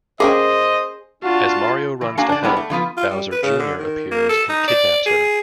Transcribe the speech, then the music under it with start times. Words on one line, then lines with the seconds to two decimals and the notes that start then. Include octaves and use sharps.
As Mario runs to help, Bowser Junior appears and kidnaps her.
0.20 A#3 C#4 G#4 C5 D#5 G5
1.23 D4 F4 F#4 A5
2.01 E3
2.17 A#3 D4 F#4 F5 G#5 A#5
2.29 D4 D5
2.43 G3 G#3 B3 D4 E4
2.57 A3
2.70 D3 F3 B3 F4
2.97 F4
3.10 G3
3.32 B4
3.43 C#3
3.59 D3
3.79 D#3
4.12 A#3
4.29 A4
4.49 D#4
4.68 D5
5.06 G#4